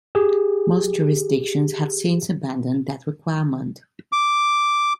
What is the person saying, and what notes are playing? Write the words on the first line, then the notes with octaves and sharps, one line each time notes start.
Most jurisdictions have since abandoned that requirement.
G4 G#4
D6